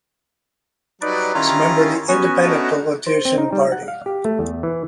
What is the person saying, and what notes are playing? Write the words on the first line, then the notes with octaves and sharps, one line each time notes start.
He is member of the Independent politician party.
F#3 G3 D#4 B4 D5
D#3 G3 C#4 E4 F4 A#5
B3 C#4 F#4 G#5
A3 D4 D#4
C5
C4
D#4
G3
F#5
F5
G4
A3
E2
E3